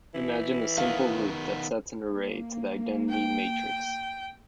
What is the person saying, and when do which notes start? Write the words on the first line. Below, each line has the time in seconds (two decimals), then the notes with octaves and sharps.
Imagine a simple loop that sets an array to the identity matrix.
0.15 E3
0.78 D#3 B3 F5
2.09 A#3
3.10 G5